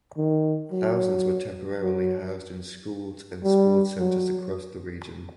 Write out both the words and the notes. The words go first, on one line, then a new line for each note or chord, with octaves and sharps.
Thousands were temporarily housed in schools and sport centres across the region.
D#3
F#3
F#3
G3
F#3